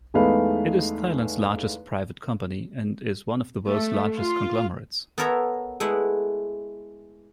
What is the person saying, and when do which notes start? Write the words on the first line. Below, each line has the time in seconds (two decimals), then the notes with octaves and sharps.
It is Thailand's largest private company and is one of world's largest conglomerates.
0.14 E2 G#3 A3 D#4 B4 F5
3.67 A3
4.19 F4
5.18 B3 A4 A#4 C#5 E5 A#5
5.80 G#3 A3 E4 B4 F#5